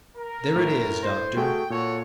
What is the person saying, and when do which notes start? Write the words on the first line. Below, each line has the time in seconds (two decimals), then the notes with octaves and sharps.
There it is, doctor.
0.15 A#4
0.56 A2
1.03 C5
1.37 A3 F#4 G#4 G5
1.70 A#2 F#4 A4 C#5